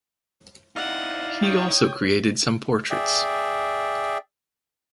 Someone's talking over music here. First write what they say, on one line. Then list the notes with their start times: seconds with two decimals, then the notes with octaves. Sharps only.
He also created some portraits.
0.76 C4 D#4 E4 D5 F5 F#5
1.42 C#5 G5 D#6 G6
2.90 G#4 D5 E5 G5